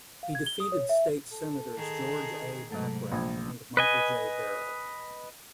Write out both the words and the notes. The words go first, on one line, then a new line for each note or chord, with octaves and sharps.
He defeated State Senators George A. Bachrach and Michael J. Barrett.
F5
G#6
G7
D#6
C#5
E5
A4
D#3 G#4
G#2 C3 F#3 A3 A4
A#1 F3 B5 D#6 G#6
B4 D#5 G#5